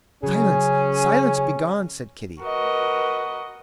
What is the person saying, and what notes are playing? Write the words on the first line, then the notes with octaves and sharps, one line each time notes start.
"Silence, silence, begone!" said Kitty.
C#3 F#3 C#4 G#4
F#4 A#4 B4 D#5